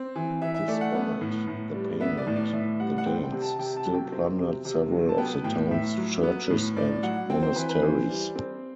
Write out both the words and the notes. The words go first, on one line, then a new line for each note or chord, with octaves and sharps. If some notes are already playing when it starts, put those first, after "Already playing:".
Despite the payment, the Danes still plundered several of the town's churches and monasteries.
Already playing: C4
E3
E3 E5
E5
A3 D5
F#5
B3
A2
A2
G3
B3 E5
D5
A2
D5
A2 E5
G3 F#5
F#5
C4 G5
G5
C3
A5
C3 G5
A5
F#3
G5
C4
C3
C3
F#3
A5
B3 G5
A2 G5
A2 E5
F#3
B3
A2
A2 D5
F#3 F#5
C4 G5
C5
E3 B4
B4
E3 C5
G3
C4